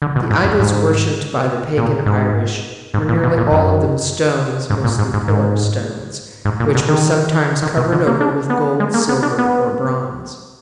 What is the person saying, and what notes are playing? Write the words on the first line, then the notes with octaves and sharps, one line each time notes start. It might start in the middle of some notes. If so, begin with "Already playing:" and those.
The idols worshipped by the pagan Irish were nearly all of them stones, mostly pillar-stones, which were sometimes covered over with gold, silver, or bronze.
D3
B2
G#2
F#2
G#2
A#2
G#2
G#2
A#2
B2
A#2
F#2
G#2
A#2
G#2
G#2
G#2
G#2
A#2
B2
D#3
D#3
B2
D3
A#3
D4
B3
G#3
A#3
B3
D4
B3